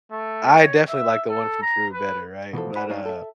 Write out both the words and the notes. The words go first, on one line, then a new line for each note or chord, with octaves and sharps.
I definitely like the one from Peru better, right? But, uh
A3
C#5
E5
A4
A#5
B4
B2 E3 F3 A4
C5 D5 F#5 G#5 B5
G3 G#3 D#4 C#5 D5 F5
A4 E5